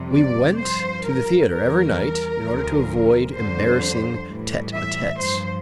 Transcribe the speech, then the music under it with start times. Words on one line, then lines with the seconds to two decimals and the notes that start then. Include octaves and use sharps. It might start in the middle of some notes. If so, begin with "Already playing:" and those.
We went to the theater every night in order to avoid embarrassing tete-a-tetes.
Already playing: F2 C3 G3
0.13 D5
0.60 G2 F3 C5
1.06 A#4
1.52 E2 E3 G3 A#4
2.44 D2 D3 F3
3.36 F2 D3 G3 C5
4.28 A2 E3 G3
4.74 E5
5.19 G2 F3 C5